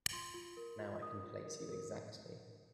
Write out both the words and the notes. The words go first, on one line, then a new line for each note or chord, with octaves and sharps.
Now I can place you exactly.
F4 C6
F4
A#4
F4
A#4 D#6
F4
A#4
A#4